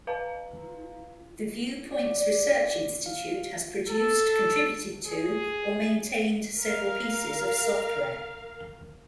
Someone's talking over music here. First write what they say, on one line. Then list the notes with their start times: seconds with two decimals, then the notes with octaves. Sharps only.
The Viewpoints Research Institute has produced, contributed to, or maintained several pieces of software.
0.07 B4 F5 A#5
1.91 D5
2.18 D5
3.06 F5
3.88 A4
5.07 G#4
6.60 A#4 F5